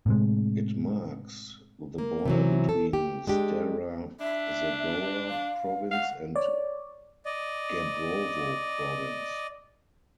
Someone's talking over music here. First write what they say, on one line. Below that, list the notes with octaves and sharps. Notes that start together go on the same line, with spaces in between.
It marks the border between Stara Zagora province and Gabrovo province.
A2 C3 G#3
A#3
C3 E3 F#3
A4
G4
G#3 D4 G4
D4 E5
F5
F5 F#5
C#5 D5
D5 D#5